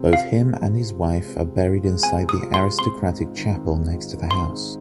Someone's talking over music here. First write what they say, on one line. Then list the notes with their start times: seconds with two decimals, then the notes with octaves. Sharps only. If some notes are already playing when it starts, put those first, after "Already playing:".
Both him and his wife are buried inside the aristocratic chapel next to the house.
Already playing: C3 C4
0.13 F4 F5
0.31 G#3
0.51 C4
0.70 C3
0.89 F4
1.07 G#3
1.27 C4
1.46 C3
1.65 F4
1.84 G#3
2.03 C4 G#5
2.22 C3
2.29 D#6
2.41 F4
2.54 C6
2.60 G#3
2.79 C4 C6
2.98 G#2
3.17 F4
3.36 D#3
3.55 C4
3.74 G#2
3.93 F4
4.12 D#3
4.31 C4 C6
4.50 G#2